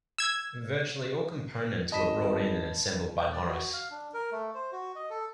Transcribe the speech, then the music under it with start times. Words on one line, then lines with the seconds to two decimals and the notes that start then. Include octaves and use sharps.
Virtually all components were bought-in and assembled by Morris.
0.18 E6 G#6
1.92 G#1 D#5 A5 B5 B6 E7
3.19 G5
3.32 D5
3.48 F#4
3.73 F5
3.91 D4
4.14 A#4
4.32 A3
4.55 C5
4.72 F#4
4.96 D#5
5.10 A4